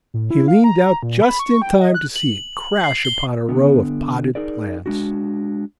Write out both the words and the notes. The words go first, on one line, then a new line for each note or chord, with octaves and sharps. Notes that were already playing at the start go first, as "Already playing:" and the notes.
He leaned out just in time to see it crash upon a row of potted plants.
A2
E4
F5
A#5
A#2
B5
C#6
G5
D#5
F#6
F#7
C7
G7
D3 B3
D#4 G#4 A#4 D5
G#3 D4 F#4